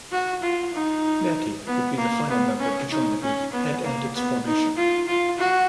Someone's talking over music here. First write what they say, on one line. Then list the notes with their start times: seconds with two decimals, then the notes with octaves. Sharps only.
Natti would be the final member to join the group and end its formation.
0.12 F#4
0.42 F4
0.73 D#4
1.66 B3
1.97 A#3
2.29 B3
2.59 C#4
2.90 D#4
3.21 C#4
3.52 B3
3.84 A#3
4.15 B3
4.46 D#4
4.77 F4
5.07 F4
5.38 F#4